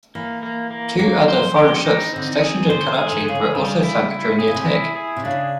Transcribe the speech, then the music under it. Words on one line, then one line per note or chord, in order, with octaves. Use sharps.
Two other foreign ships stationed in Karachi were also sunk during the attack.
E3 A#3
A#3
A#3
F#3 A#3
C5
F3
G4
E3 D#4
D3 C4
D#3
G#4
D3 C5
G#4
D#3
D3
C#3 G#4
D3
C#3 G3
E4
E4
C3 G#4
C#3
C3
E4
G#4
C3
C#3 D4